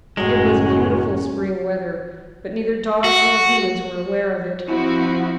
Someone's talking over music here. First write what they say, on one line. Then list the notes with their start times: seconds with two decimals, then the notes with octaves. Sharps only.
It was beautiful spring weather, but neither dogs nor humans were aware of it.
0.17 F#1 A2 F#3 G#3 C#4 F#4
3.04 F#4
4.67 F3 C4 E4 F#4